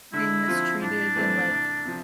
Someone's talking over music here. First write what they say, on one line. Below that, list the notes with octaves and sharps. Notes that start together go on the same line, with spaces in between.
being mistreated in, like,
D3 E4
F3 C4 F4
A2 D4
E3 A3 C4
C2
C3 F3